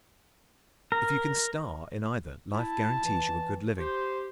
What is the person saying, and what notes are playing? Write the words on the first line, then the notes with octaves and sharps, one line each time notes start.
If you can star in either, life guarantees you a good living.
A#4
E4 A5
E3
G4 C5